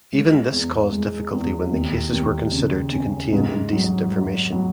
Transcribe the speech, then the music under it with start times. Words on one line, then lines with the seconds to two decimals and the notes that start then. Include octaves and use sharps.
Even this caused difficulty when the cases were considered to contain indecent information.
0.13 G#3
0.52 E2
0.92 G#3
1.32 E2
1.72 D#2
2.13 D#2
2.52 C#3
2.92 C#4
3.33 G#2
3.72 F#3
4.12 F#3
4.52 F#3